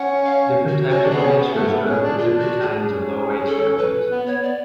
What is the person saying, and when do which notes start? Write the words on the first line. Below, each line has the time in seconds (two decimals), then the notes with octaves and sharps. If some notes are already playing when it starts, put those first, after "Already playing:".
Different types of transfers benefit different kinds of low-wage families.
Already playing: C#4 F#5
0.25 F5
0.68 F#4
0.89 C#4 F#4
1.04 D4 A4
1.10 B3 G#4
1.22 C#4
1.37 B3
1.53 A3 A4
1.70 B3
1.85 C#4 G#4
2.02 D4
2.18 D4 F4
2.39 F#4
2.61 G#4
2.82 C#4
3.46 A4
3.78 B4
4.10 B3
4.26 B3 C#5
4.42 B3 D5